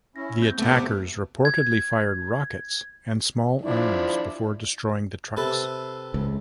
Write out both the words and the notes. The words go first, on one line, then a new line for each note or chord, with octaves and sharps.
The attackers reportedly fired rockets and small arms before destroying the trucks.
C#4 E4 A#6
A#3 C4 G6
D2 C3 A3 B3 D6
G#6
F3 D4 E4
C3 A4 B4
C#2